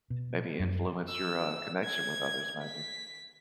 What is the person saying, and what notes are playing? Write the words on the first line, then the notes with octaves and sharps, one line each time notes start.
maybe influence your, uh, connection with others maybe?
B2
F#2
E6
G#6
B6